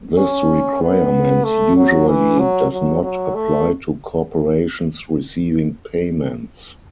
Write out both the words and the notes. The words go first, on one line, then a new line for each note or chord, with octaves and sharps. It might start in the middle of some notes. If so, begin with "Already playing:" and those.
This requirement usually does not apply to corporations receiving payments.
C#4
B3
A3
F#3
E3
F#3
F#3
F#3
A3